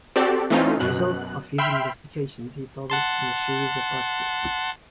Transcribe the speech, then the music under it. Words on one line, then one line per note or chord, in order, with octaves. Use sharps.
The results of his investigations he published in a series of articles.
C4 F#4 G4 A4 D5
E3 A3 C4 C#4 D#4 F4
F#2 B2 F#6
E5 G5 B5 C6 F6
F#5 A5 C6